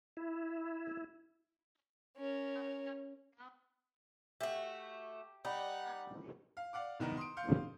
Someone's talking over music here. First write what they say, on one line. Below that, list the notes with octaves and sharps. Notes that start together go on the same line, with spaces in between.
It was named after Viau bridge, which links it to Ahuntsic-Cartierville in Montreal, Quebec.
E4
C#4 A#4
A3 F#4 G4
G3 D#4 F#5
F5
D5 F5 F#5 D6
C2 D#3 B3 D#4 A#4 E7
C6 D#6 D7
F5 C6 G6 C#7